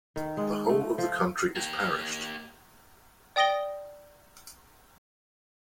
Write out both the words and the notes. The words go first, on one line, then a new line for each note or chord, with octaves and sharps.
The whole of the county is parished.
D#3
G#3
A3
F3
A#3 G4
D5 G5 D#6 A#6 D7 G7